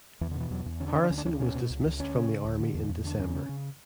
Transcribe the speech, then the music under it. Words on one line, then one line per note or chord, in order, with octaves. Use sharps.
Harrison was dismissed from the Army in December.
E2 E3
D3
B2 E3
E2 F#3
E2
D3 C#4
D4
D3 C#4
D4
D2 C#4
D4
D2 C#4
D4
B2 C#4
B2
C#2
C#2
D2 C#4
C#3
C#3
D2
D3
E2
E2
D3 D4
E2 C#4
C#3
C#3